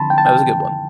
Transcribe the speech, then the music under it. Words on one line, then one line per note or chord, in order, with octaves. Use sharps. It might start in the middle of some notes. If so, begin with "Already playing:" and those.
That was a good one.
Already playing: D3 F3 C4 A5 B5 C6
G5
A5
G5